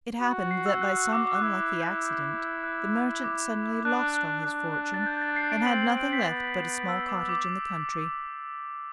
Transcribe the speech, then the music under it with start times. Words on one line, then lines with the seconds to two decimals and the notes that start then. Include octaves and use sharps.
It happened that, by some unlucky accident, the merchant suddenly lost all his fortune, and had nothing left but a small cottage in the country.
0.21 F#4
0.51 C7
0.66 E6
0.82 F#6
0.97 E6
1.07 E6
1.13 D6
1.27 D6
1.35 F#6
1.42 E4 E6
1.57 D6
1.73 E6
1.81 G6
1.87 F#6
2.64 F#6
3.24 D6
3.85 D4 F#6
4.45 D4
4.94 A6
5.07 G6
5.17 G6
5.22 A6
5.36 C7
5.52 D7
5.66 C4 F#7
5.82 F#7
5.97 D7
6.13 B6
6.27 B3 A6
6.89 E6
7.08 D6
7.29 D6